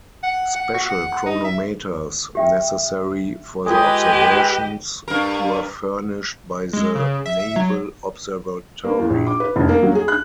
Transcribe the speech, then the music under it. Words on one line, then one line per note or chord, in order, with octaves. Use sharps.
Special chronometers necessary for the observations were furnished by the Naval Observatory.
F#5
F#5
F#4
F#5
D#4
E5
G4 E5 G5
G#3 F4 G4 A4 B4 D#5
G2 A#4
G#3
C#3
E5
E5
F#3
A#3
E2
A#1
D6
B4
F1
A#3
F#3
G#4
F#6